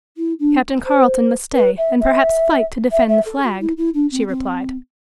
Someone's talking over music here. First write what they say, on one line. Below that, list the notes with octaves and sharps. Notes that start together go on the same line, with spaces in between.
"Captain Carleton must stay and perhaps fight to defend the flag," she replied.
E4
D4
C5
B4
E5
E5
E5
E5
A4
F#4
E4
E4
D4
C4
C4